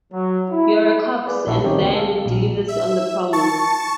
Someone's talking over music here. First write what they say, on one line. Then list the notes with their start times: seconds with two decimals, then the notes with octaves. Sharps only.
You're a corpse and then delivers on the promise.
0.12 F#3
0.50 E4
1.27 G#4 B4 D5
1.47 A#1 D#4 E4 F#4 A4 A5
1.64 D#3 C4 C#4 D#4 G4 C#5
1.79 D2 C4 F#4
1.95 A4 F5
2.26 A#1
2.68 E5
3.33 A5 C#6 A6